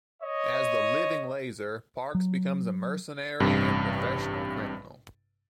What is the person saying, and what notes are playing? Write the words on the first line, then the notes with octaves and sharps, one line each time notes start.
As the "Living Laser", Parks becomes a mercenary and professional criminal.
C#5 D#5
F#3
A1 G2 C3